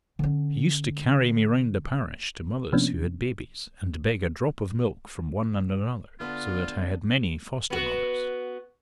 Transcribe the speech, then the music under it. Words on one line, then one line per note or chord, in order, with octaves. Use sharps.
She used to carry me round the parish to mothers who had babies, and beg a drop of milk from one and another, so that I had many foster-mothers.
D3 C#4
C3 F3 A#3 B3 C#4 D4
D3 B3 D4 F4
B3 F#4